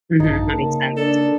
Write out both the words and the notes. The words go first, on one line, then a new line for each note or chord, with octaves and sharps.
Mhm, that makes sense.
A#1 G2 D#4 A5
C#3 A#3
D4 A4